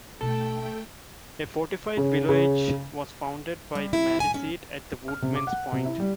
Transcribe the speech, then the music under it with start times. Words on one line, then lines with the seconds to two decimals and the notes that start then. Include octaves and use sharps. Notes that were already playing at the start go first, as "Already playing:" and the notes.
A fortified village was founded by the Maliseet at Woodman’s point.
0.21 B2 A3 D4 A4 G5
1.97 C#3
2.29 C#3
3.75 G3
3.93 E4
4.20 G#5
4.34 C#4
5.08 F6
5.22 C3
5.35 D6
5.47 F#5
5.72 C3
5.85 E4
6.00 G3